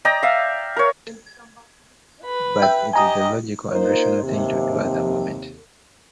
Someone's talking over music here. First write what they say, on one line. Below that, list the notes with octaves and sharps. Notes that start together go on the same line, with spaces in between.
But it is the logical and rational thing to do at that moment.
D5 D#5 G5 A#5
E5 F5
A#4 C#5
B4 B5
E5 G5
G4 D#5 G#5 A#5 D#6
A#3 D#4 F4 A#4 C5
D#2 C3